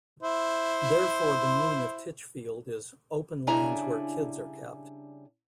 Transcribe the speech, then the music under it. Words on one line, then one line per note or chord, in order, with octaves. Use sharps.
Therefore, the meaning of Titchfield is 'open lands where kids are kept'.
E4 C5
C#3 G3 D4 E4 G#5 A#5